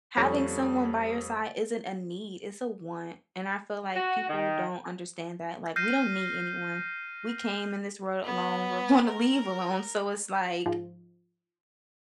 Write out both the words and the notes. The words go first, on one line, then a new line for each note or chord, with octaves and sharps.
having someone by your side isn't a need, it's a want and I feel like, people don't understand that, like, we don't need anyone, we came in this world alone, we're gonna leave alone, so, it's like,
F2 G3 A3 C#4
F#4
D#3
F6 G6 A#6 C7 D#7
B3
A#4
G#2 F3